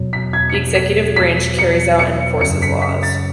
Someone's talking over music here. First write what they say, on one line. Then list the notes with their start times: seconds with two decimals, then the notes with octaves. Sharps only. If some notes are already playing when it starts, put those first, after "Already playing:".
The executive branch carries out and enforces laws.
Already playing: E2 B2 F#3
0.13 B6
0.33 G#6
0.49 C#7
0.54 B6
0.75 B6
1.16 B6
1.59 C#7
1.99 C#7
2.41 F#2 C#3 F#3 C#7
2.62 B6
2.82 B6
3.03 A6